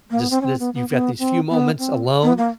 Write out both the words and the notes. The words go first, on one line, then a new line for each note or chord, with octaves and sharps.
just lis you've got these few moments alone,
A#3
B3
C4
C#4
C4
B3
B3
B3
C4
B3
C4
B3
A#3